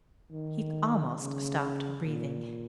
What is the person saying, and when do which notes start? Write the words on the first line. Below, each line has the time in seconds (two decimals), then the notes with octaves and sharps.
He almost stopped breathing.
0.31 D#3
1.18 C#3
2.05 A#2